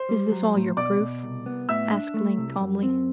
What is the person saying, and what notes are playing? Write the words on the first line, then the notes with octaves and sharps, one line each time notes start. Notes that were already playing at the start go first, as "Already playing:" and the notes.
"Is this all your proof?" asked Link calmly.
Already playing: C5 C6
G3
F#3
A2
B2 D5 D6
B2
C2
B3
A2 E5 E6
D4
A3
C2
F#2
C4